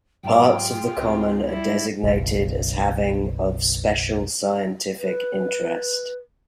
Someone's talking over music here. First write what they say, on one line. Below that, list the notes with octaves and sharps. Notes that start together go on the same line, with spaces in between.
Parts of the common are designated as having of Special Scientific Interest.
G#2 F#3 F4 G4 G#4 G5
C#2 C4
G3 E4
F#1 B1
B4